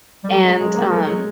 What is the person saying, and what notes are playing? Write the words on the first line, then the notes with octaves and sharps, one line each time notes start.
and, um,
G3
F#3 A3
G#3
G#3
A#3
F#3 A3
F#3 G#3